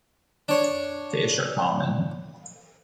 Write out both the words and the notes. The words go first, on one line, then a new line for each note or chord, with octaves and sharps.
Fish are common.
D4 C#5